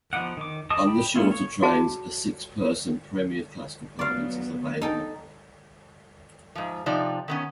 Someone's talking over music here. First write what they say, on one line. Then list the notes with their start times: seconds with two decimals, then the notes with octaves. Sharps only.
On the shorter trains, a six-person Premier Class compartment is available.
0.13 F3 B3 D#4 D5 F#5
0.37 D#3 D6
0.70 D#5 A5 D6 D#6
0.87 G5 B5
1.16 A3 B3 C#4 E4 F4
1.31 C#5
1.62 F#4 G#4 A5
3.99 F#3 B3 D5 F5
4.82 D#4 A4 G5
6.55 G#2 F3
6.86 C3 F3 D#4 D5
7.28 D#3 B3 C#4